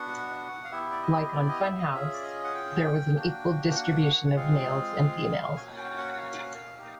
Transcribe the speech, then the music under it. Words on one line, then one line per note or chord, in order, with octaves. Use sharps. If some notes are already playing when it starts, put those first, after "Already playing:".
Like on "Fun House", there was an equal distribution of males and females.
Already playing: B3 D4 F#4 F#5
F5
B3 E4 G4 E5
D5
D#5
D5
D#5
E5
D#5
C#4 F4 G#4 E5
D5
D#5
F#5
G5
A#3 D4 F#4
G5
F#5
F#5
F#5
G#3 C4 F4 G#4 F5
A#3 C#4 F#4 G#5
G5
F#5
F#5
F5
A#3 D#4 G4